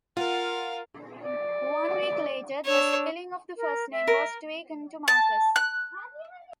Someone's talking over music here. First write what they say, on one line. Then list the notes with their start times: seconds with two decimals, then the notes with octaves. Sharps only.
One week later, the spelling of the first name was tweaked to Marcus.
0.17 F4 A#4 F5 F#5
1.24 D5
2.65 D4 C#5 E6
3.55 A#4
3.91 E5
4.07 A#4
5.08 A5
5.56 F#6